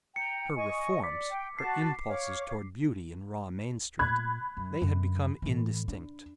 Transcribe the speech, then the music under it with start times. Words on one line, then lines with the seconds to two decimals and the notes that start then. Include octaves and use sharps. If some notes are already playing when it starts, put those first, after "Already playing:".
Her "reforms," her impulses toward beauty in raw Main Street, they had become indistinct.
0.16 G5 A#5 C#7
0.56 D#5 G#5 C#6
1.04 D5 D6 B6
1.29 G5
1.59 F#4 A5 C7
2.07 C#5 F5 D6
3.99 A#2 B5 F#6 G#6
4.57 F#2
4.82 F#2 D3
5.42 A2 E3
5.88 D4